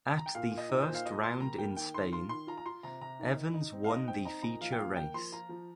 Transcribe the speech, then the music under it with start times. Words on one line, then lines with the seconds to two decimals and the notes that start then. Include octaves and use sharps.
At the first round in Spain, Evans won the feature race.
0.18 A#5
0.26 G5
0.35 A#2 F5
0.52 A#2
0.58 D#5
0.69 D#4
0.82 C5
0.88 A#2
0.95 F5
1.05 A#2 D#5
1.23 A#3 C6
1.40 G3 A#5
1.58 A#3 G5
1.76 D#3 G5
1.94 D#3 C6
2.12 F4 C6
2.29 D#3 C6
2.47 F4 A#5
2.57 A#5
2.66 F4 C6
2.83 C3 A#5
3.01 C3 A#5
3.19 D#3
3.37 D#4
3.54 D#4
3.73 C4
3.84 F5
3.90 D#4 D#5
4.08 C4 G5
4.25 D#4 A#5
4.43 A#2 A#5
4.61 F3 F5
4.72 G5
4.78 A#3 F5
4.96 A#3 G5
5.14 F3 C6
5.32 F4 A#5
5.49 F3